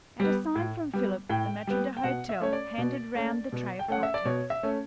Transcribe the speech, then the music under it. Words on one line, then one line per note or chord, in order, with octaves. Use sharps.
At a sign from Philip, the maitre d'hotel handed round the tray of cocktails.
G3 B3
A2
G3 B3
A2 G5
G3 B3
G5
B2 F#5
E5
A3 C#4 C#5
D5
B2
A3 C#4
B2
G5
A3 C#4 F#5
E5
D5
B2 C#5
E5
A3 C#4